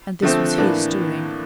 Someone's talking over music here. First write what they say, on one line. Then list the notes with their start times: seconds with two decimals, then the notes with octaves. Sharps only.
And this was his doing.
0.22 D3 F3 A3 C4
0.58 A2 E3 A#3 D4